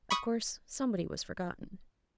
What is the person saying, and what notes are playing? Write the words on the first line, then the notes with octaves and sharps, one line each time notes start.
Of course somebody was forgotten.
B5 C#6 D#6